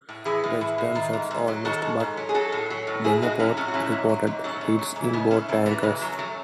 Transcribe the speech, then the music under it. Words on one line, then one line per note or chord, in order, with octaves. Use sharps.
The stern shots all missed, but Davenport reported hits in both tankers.
A2
E3 E4 G#4
A2
E3
A2
D#3
G#2
G#2
F#3
D#3 F#4 A4
G#2
G#2
F#3
G#4
F#3 F#4 A4
A2
F#3
A2
F#3 E4 G#4
A2 D#4 F#4
F#3 C#4 E4
A2 A3 C#4
F#4
F#3 C#4 E4
G#2
F#3
G#2
F#3 A3 C#4
G#2
F#3
G#2
E4
C#3 B3 D#4
F#2 C#4 E4
F#2 A3 C#4
E3 F#3 A3
C#3 G#3
F#2 F#3
F#2 F#3 A3